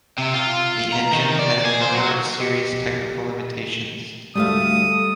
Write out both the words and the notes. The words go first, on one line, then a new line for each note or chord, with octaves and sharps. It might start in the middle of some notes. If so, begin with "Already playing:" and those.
The engine had a number of serious technical limitations.
C3
F4
A#5
D#3
D5
G#4
C5
F#3
G4 D#5 C#7
D2 G3 A3 F5 D#6